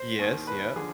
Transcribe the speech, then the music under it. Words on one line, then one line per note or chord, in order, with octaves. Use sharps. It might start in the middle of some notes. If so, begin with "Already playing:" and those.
Yes, yep.
Already playing: C5
D#2 D#3
B4
D3 F3 G#4